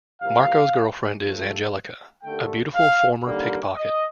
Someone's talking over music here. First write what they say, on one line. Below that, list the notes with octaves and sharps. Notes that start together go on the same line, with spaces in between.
Marco's girlfriend is Angelica, a beautiful former pickpocket.
C2 C3 F3 A#3 F5
G2 F3 A3
D#2 D3 A3 G5
F5
D#2 D3 G3 A#3
D#5